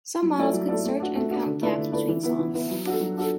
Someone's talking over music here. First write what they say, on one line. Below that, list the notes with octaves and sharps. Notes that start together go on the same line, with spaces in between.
Some models could search and count gaps between songs.
F#3
A3 E4 A4 D5
F#3
A3 E4 A4 D5
A3
D4 F#4
A3
D4 F#4
D3
A3 E4 B4 D5
D3
A3 E4 B4 D5
E3
B3 E4
E3
B3 E4
F#3
D4 F#4 A4
F#3
D4 F#4 A4